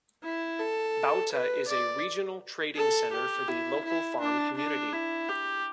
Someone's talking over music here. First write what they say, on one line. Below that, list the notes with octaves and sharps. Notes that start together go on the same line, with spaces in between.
Bauta is a regional trading center for the local farm community.
E4
A4
B4
D5
A4
G4
E4
E4
D4
D4
E4
G4